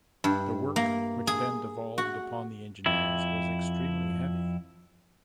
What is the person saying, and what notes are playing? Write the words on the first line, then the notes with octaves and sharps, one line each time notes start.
The work which then devolved upon the engineers was extremely heavy.
G2
A#3
G#4
F#4
F2 E4